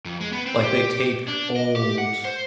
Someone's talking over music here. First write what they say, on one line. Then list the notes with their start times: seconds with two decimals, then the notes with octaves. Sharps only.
like they take old
0.05 F2
0.20 G#3
0.33 B3
0.46 C4
0.63 G4
1.28 D4
1.56 D#5
1.76 G4
1.98 F#5
2.25 C5